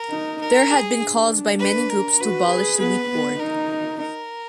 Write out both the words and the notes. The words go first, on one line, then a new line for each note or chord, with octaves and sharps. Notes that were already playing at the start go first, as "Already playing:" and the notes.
There had been calls by many groups to abolish the Wheat Board.
Already playing: A#4
D#4
A#4
G#4
D4
B4
A#4
F#4 B4
G#4
B3 B4
B3
D#4 A#4
A#4